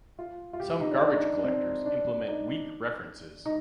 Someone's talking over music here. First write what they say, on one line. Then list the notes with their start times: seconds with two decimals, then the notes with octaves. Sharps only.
Some garbage collectors implement weak references.
0.19 F4
0.53 F4
0.60 G4
0.70 F4
0.80 D#4
0.91 D4
1.02 D4
1.10 D#4
1.18 D4
1.38 D4
1.44 C4
1.86 D4
2.28 D#4
3.45 D#4